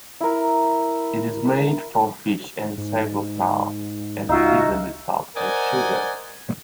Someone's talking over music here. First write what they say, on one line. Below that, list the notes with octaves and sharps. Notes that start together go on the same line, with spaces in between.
It is made from fish and sago flour and seasoned with salt and sugar.
E4 A#4
G#2
C#2 D#4 F4 F#4 E5 F5
A#4 C5 D5 D#5 F#5 G#5